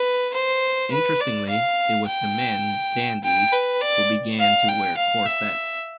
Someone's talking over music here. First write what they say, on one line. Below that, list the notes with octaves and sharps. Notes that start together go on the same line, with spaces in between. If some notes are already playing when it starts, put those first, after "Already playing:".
Interestingly, it was the men, Dandies, who began to wear corsets.
Already playing: B4
C5
B4
D5
F5
G5
G5
B4
D5
F5
G5
F5
E5